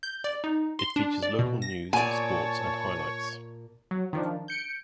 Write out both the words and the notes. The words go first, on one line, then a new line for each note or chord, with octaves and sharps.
It features local news, sports, and highlights.
G6
D5
D#4
C6
D4
D5
B2
A#6
A#2 C#5 D5 G#5 A5
F#3
D#3 F3 D4
G6 C#7 D7